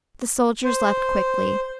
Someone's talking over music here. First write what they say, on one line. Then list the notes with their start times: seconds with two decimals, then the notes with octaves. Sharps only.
The soldiers left quickly.
0.64 C5